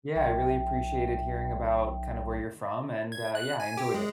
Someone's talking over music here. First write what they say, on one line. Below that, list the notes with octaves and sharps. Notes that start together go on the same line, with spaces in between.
Yeah, I really appreciated hearing about kind of where you're from, and, uh, yeah, I enjoyed it.
B1 E5 G5
G#6
F#6
G#5
G4
G#3